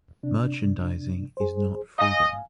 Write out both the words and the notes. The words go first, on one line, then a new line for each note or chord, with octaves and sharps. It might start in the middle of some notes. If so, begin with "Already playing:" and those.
Merchandising is not freedom.
C3 D4
G#4 C5
D#5 F5 G#5